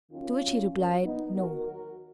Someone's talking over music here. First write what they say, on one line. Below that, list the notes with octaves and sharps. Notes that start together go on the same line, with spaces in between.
To which he replied, "No."
D#2 D#3 F#3 C#4 F4
A#2 F#3
F#2 F3
A#2 F3 B3 D#4
A#2 F#3 F#4 A#4
D#2 D#3 F#3 F#4 A#4